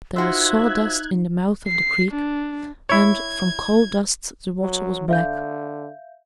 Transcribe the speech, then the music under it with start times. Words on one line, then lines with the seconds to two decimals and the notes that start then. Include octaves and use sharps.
There was sawdust in the mouth of the creek and, from coal-dust, the water was black.
0.16 D#4 F4 F#4 C5 E5 F#6 G#6
1.67 C7
2.11 D4
2.89 E4 C#5 G#6
4.63 F#3
5.09 D3 E5 F5 G6